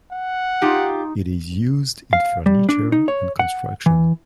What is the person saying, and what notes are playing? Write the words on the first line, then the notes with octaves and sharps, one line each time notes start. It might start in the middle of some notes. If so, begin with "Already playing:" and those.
It is used in furniture and construction.
F#5
D#4 F4 G4
F5
G3
D4
D#4
C#5
F#5
E3